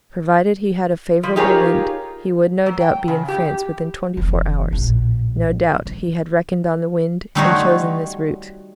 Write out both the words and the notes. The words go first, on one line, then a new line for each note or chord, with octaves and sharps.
Provided he had a favourable wind, he would no doubt be in France within twenty-four hours; no doubt he had reckoned on the wind and chosen this route.
F3
D#4 F4 G4 G#4 A#4 C#5
F#3
G5
C#3
G4
F1 E3
A#1 A2
E3
G3 A3 D#4 F4 F#4 C#5